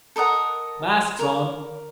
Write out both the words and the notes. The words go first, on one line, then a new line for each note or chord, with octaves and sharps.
Masks on!
A4 A#4 D#5 F#5
A#4